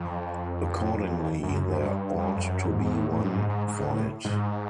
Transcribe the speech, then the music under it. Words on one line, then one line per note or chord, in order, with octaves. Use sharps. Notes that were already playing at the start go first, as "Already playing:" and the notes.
Accordingly there ought to be one for it.
Already playing: F2
F#2
G2
G2
F2
F#2
G#2
G#2
A2
A2
G2
G#2
G#2
G#2
A2
G#2